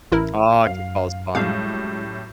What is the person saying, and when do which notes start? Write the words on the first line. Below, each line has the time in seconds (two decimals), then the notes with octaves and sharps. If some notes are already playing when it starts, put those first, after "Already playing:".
Ah, kickball is fun.
0.12 A1 E4 A#4
0.66 F#2 F5
1.35 F#2 A2 G3 G#3 F5